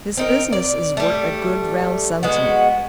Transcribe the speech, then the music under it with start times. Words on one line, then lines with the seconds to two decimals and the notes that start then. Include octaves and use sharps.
His business is worth a good, round sum to me.
0.17 C4 D#4 A#4
0.52 D5
0.97 G3 A3
2.23 G#3 B3 F#4